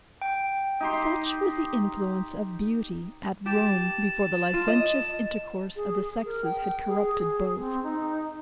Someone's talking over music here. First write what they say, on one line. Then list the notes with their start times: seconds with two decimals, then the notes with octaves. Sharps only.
Such was the influence of beauty at Rome before the licentious intercourse of the sexes had corrupted both.
0.22 G5
0.80 D#4 G4 C6
3.46 G4 A5
4.54 F4
4.68 D#5
5.76 G#4
6.25 A#4
6.44 G5
6.88 G#4
7.13 G#4
7.59 C4
7.83 D#4